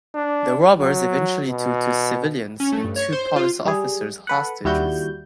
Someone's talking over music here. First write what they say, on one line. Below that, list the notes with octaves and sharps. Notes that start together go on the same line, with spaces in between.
The robbers eventually took two civilians and two police officers hostages.
D4
F#3
B2
C#4
A3
G2
C#5
C5
F4
G3 G#4
A4 B4 F#5
D#2 G3 E4 F#4 G6